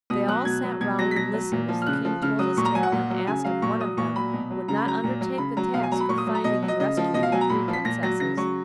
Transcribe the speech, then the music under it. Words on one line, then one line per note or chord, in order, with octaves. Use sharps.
They all sat round and listened as the King told his tale and asked if one of them would not undertake the task of finding and rescuing the three princesses.
B2 D#6
F#3 F#6
B2 G#6
F#3
B2 G#6
F#3 A#6
B6
B2 A#6
F#3
A#2
F3
F6
C#3 F#6
F3
C#3 F6
F#3 D#6
A#2 C#6
A#5
F#3 G#5
F#5
A#2
F#3
C#3 G#5
F#3 F5
A#2 C#6
F#3 D#6
A#2 C#6
F#3 B5
B2
F#3
C#3 A#5
B5
F#3 A#5
A#2
F#3
C#3 B5
F#3 A#5
B2 F5
G#5
F#3 A#5
B5
A#2 C#6
D#6
F#3
A#5
B2 D#5
F#3
D#5
C#3 D#5
F3
B2 D#5
F5
F#3 G#5
A#5
A#2 B5
F3
B6
A#2 A#6
F#3 A#6
C#3 A#6
F#3 C#6